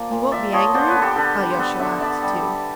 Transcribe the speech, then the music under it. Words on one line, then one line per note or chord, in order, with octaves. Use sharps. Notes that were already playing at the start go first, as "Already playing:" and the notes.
"You won't be angry?" Alyosha laughed too.
Already playing: F3 A#3 D5
A#2
A#2 D5 E5
F3 C#5 D#5
B3 C5 D5
B4 C#5
D3
G4 A4
D3 A4 B4
G3
C5
B3 A4 B4
D3 D5 E5
D3 D5 E5
G3